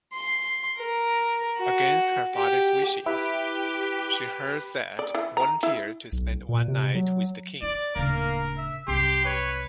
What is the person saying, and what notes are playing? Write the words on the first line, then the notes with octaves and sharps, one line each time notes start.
Against her father's wishes, Scheherazade volunteered to spend one night with the king.
C6
A#4
F#4
G4
E4 G4 B4
D5
E3
A#5
E4
B1
A#2
C3
F#3
E4 D5
D1 C#3 A#3 A#4
E5
C2 F#2 G4 C6
B4 C#5